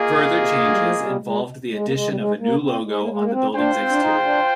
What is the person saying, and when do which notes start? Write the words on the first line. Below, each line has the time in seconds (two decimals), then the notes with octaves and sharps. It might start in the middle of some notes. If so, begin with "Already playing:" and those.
Further changes involved the addition of a new logo on the building's exterior.
Already playing: A#3 F4 G#4 D#5
0.08 D3
0.32 C3
0.50 C3
0.55 D3
0.68 G3
0.77 F3
1.01 G3
1.24 G#3
1.70 G#3
1.86 A#3
1.92 G#3
2.07 G3
2.16 G#3
2.39 A#3
2.62 C4
2.85 G#3
3.02 A#3
3.09 G#3
3.22 A#3
3.31 C4
3.55 D4 F4 C5 G5
3.78 C4
3.90 D4
4.00 D#4
4.24 D4